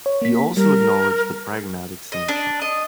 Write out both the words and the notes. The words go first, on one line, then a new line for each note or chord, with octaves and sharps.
He also acknowledged the Pragmatic Sanction.
C#5
A#3 B6
G3 A#4
D#5
D4
D#5